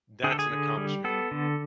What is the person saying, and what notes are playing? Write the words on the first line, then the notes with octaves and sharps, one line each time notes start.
That's an accomplishment,
D3 G#4
A4
G#4
D3
G3
B3 A4
D3